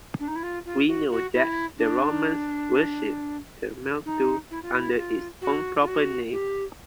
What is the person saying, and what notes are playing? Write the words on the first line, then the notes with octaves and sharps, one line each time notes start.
We know that the Romans worshipped the mildew under its own proper name.
D4
D#4
E4
F4
F4
F#4
F#4
E4
D4
D#4
E4
F4
E4
F4
F#4
F4
F#4
G4